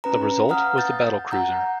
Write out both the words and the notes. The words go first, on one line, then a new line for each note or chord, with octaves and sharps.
The result was the battlecruiser.
C#4 B4 A#5
F5 F#5 A#5 D#6 F6
G6 A6
F#5 A#5 G6